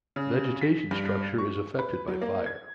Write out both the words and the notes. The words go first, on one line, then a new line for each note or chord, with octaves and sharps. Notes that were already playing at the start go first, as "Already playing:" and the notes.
Vegetation structure is affected by fire.
C#3
B6
G2
C#6
B4
F#3
A#3
G#6